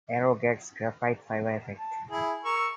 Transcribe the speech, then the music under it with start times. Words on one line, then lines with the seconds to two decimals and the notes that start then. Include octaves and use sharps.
Aero gets graphite fiber effect.
1.79 A5
2.11 E4 G#4
2.45 A#4 C#6 E6